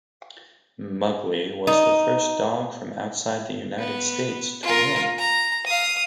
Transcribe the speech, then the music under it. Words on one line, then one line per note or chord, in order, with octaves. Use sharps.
Mugly was the first dog from outside the United States to win.
D#4
B3
F4 A#4
A#5
F5 D#6